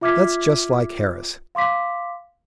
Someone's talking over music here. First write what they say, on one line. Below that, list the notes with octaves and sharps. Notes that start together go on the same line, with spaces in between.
That's just like Harris.
F4 E5 D6 F6 G#6 B6
F5 C6 D6 B6